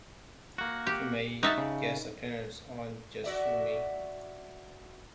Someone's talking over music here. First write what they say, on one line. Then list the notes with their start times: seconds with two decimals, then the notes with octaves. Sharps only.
She made guest appearances on Just Shoot Me!
0.58 A#3 F#4
0.87 G4
1.43 D#4 F#4 E5 A5
1.58 C#3
3.24 F#4 D5 E5